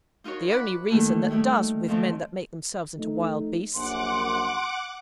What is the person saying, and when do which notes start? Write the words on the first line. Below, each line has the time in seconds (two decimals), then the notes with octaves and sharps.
'The only reason that does with men that make themselves into wild beasts.
0.24 D#4 F4 F#4 A#4 C#5
0.51 F#5 B5 D6
0.90 D#3 G3 A3 A#3 A4
1.30 G3 A3 D#4 E4
1.88 D#3 F3 A3 C4 C#4
2.98 F3 A3 D#4
3.75 A#1 F#2 F#5 C6 D6